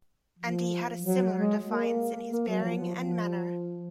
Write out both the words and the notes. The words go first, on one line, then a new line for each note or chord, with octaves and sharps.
And he had a similar defiance in his bearing and manner.
F3
F#3
G#3
A#3
A#3
F#3
F3
F3
F3